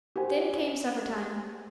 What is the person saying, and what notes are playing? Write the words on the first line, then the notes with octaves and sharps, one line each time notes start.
Then came supper-time.
G4 A#4 C5 F#5 G#5